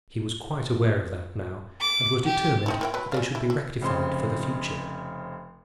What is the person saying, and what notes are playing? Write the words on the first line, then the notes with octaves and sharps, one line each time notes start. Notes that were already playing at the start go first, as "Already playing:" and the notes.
He was quite aware of that now, and was determined that they should be rectified for the future.
D6
G4
C4 D#4 E4
A#3 E4 G5
F#3 B4
G#3 D5 F5
E4
E4
F1 C#3 C4 C6